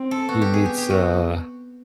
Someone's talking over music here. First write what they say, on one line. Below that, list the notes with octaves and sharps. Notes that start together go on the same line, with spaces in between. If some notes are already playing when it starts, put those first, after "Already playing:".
he meets, uh
Already playing: C4
A4
B3 F#4
G4
G#4
G4
G4
F#4